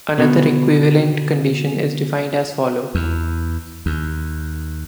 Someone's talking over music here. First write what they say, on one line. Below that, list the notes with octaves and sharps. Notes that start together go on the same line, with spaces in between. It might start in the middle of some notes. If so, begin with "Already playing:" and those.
Another equivalent condition is defined as follow.
B2 D3
E2
D#2